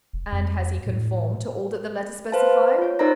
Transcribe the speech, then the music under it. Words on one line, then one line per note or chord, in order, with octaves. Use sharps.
"And has he conformed to all that the letter specified?"
F1
F2
A2
B4 C5 F5 A5
F4 C#5
D#4 A#4 C5 D5 A#5 A#6